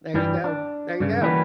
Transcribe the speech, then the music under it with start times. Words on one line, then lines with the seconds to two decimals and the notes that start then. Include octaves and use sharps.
There you go. There you go.
0.14 G2 E3 G3
0.44 D4
1.00 G2 C#3
1.21 E3 G3 A#3 C#4 F#4 B4